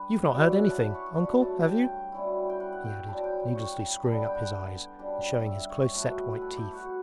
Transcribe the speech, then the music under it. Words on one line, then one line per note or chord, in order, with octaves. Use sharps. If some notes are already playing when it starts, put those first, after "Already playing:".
You've not heard anything, Uncle, have you?' he added, needlessly screwing up his eyes and showing his close-set white teeth.
Already playing: G3 D4 B4
G2 F#3 C#4 E4
D5
E5
F#5
A5
B5
C#6
C#6
G2 F#3 A3 B5
A5
G5
B2 G3 C#4 E4
G5
F#5
F#5
G5
F#2 C#3 G3 A5
G5
G5
C#6
B5
D3 G3 B3 A5
G5
F#5
G5
C#3 G3 D4
E5
C#5
B2 A3 E4 B4
A4 B4
A4
G4
F#4